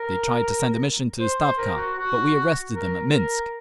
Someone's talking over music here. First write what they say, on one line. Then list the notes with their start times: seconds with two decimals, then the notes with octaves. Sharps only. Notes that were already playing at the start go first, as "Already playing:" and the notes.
They tried to send a mission to the Stavka, but we arrested them at Minsk....
Already playing: A#4
1.19 C5
1.39 C5
1.58 A#4
1.77 F#4
1.97 F#4
2.73 A#4
3.11 A#4